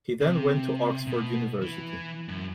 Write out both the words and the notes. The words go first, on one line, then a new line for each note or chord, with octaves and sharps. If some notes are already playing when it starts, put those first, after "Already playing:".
He then went to Oxford University.
C3
B2
E3
F#2